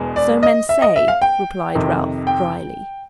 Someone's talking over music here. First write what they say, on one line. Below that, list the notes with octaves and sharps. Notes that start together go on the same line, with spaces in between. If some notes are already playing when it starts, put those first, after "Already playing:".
'So men say,' replied Ralph, drily.
Already playing: E1 E2 B2 G#3
D5
D#5
E5
D#5
E5
F5
G5
F2 C3 D#3
G5